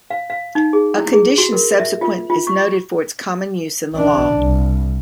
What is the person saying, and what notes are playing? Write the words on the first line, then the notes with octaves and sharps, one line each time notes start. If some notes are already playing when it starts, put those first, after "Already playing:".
A condition subsequent is noted for its common use in the law.
F5
F5
D#4
G#4
E4
G#4
F#4
A#4
E5
F4
F4
C#6
E3 D4
C2